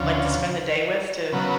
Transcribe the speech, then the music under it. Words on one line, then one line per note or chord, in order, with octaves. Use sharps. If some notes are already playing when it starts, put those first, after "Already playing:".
like to spend the day with to
Already playing: D2 C#3 F3
C#3 F#3 B3